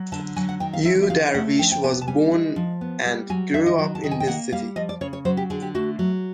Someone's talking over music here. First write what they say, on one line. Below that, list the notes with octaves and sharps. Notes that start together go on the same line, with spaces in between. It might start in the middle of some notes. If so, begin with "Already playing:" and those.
Yu Darvish was born and grew up in this city.
Already playing: F#3
D3 A5
F#3 G#5
F#5
D#3 G5
F5
F3 E5
E5
C#3 F5
A3 F#5
F3 G5
G5
B3 G#5
A5
G3 G#5
G#3
F3
B3
G3
F#3 G#5
D#3 E5
D#5
F#3
A5
D#3
G#5
G5
A#3 F#5
G3 F5
F3 D#5
D5
C#3 C#5
C#5
F#3 C5
G4
D3 G#4
G4
A3 F#4
F#3